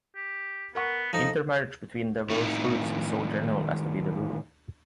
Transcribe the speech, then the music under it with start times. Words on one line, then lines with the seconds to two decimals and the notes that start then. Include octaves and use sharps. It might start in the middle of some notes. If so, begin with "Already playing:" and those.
Intermarriage between diverse groups is so general as to be the rule.
0.16 G4
0.75 B3 A#4 F#5 C#6
1.13 F3 D#4 A4 A#5
2.30 A2 D#3